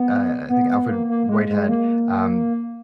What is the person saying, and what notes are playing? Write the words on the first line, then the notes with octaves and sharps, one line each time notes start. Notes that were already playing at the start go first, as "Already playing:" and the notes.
uh, I think, Alfred Whitehead, um,
Already playing: B3
B3
B3
A#3
A#3
G#3
G#3
A#3